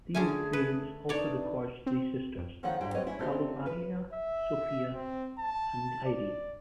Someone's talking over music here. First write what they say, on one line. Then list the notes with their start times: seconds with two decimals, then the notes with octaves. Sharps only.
Theophanes also records three sisters: Kalomaria, Sophia and Irene.
0.15 D3 A3 C#4 G#4 G#5 A5
0.53 B4
1.09 D4 D#4 B4 C#5 D5 D6
1.86 C4
2.38 F2
2.63 D#3 F3 D#4 A4 C#5 F#5
2.81 G#2 D3 G3 E4 C5 G5
2.94 F#3 G3 C4 B4 C#5 D#5
3.07 G3 C#4 E4
3.19 A3 C4 D4 D#4 G4 A#4
3.66 B4
4.13 E5
4.94 C4
5.39 A5
6.05 D5